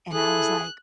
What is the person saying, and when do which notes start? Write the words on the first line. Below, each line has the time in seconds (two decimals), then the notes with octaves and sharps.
And I was like,
0.13 E4 G#4 A4 F#6